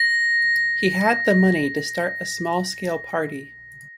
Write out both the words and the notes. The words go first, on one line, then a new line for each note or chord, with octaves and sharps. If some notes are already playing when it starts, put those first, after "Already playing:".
He had the money to start a small-scale party.
Already playing: A#6